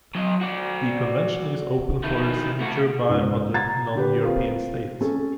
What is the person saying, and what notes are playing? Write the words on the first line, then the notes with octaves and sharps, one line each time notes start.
The Convention is open for signature by other non-European states.
F#3 D#5
F#4 D5
D#3 E4
A3 F#4
C#2 G#2
F#5 A#5 G#6 A6
D3 G4 B4
C4 F4 A#4
C#4 A4